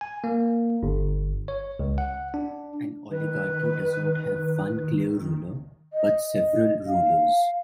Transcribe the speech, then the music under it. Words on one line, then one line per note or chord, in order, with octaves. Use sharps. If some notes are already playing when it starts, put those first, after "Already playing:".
An oligarchy does not have one clear ruler but several rulers.
G#5
A#3
G1
C#5
C#2
F#5
D4
D#3 B4
D#5
D#5
F5